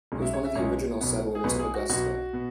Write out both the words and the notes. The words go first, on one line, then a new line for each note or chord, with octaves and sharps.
He was one of the original settlers of Augusta.
B1 B2 G#3 C#4
E5
C#5
E5
B1 B2 G#3 C#4 C#5
B1 B2 B3
G#4
B1 B2 B3 B4
G#4
F#4
B1 B2 B3 F#4
B2 B3